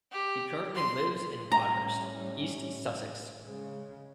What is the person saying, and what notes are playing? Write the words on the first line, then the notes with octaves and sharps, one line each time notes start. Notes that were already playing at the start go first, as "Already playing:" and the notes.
He currently lives in Wadhurst, East Sussex.
G4
C6
A2 G3 C#4 A#5
C#3 G#3